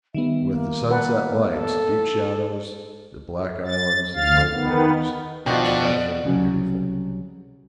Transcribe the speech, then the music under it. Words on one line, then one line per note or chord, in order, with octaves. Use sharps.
With the sunset lights, deep shadows, the black islands and white bergs it was all very beautiful.
D#3 G3 B3 E5
A#3
B4 F#5 A5
A4
A6
D2 F5 A6
D#3 B3
B2 F3 D4 F#4 D5 D#5 G5
D5
C2 C#3 F#3